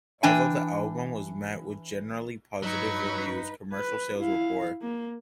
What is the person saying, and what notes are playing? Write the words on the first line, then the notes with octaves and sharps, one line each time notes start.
Although the album was met with generally positive reviews, commercial sales were poor.
E3 D4 G5 G#5
G2 F#3 D#4 B4 B5 C#6
B4
E4 F5
A#3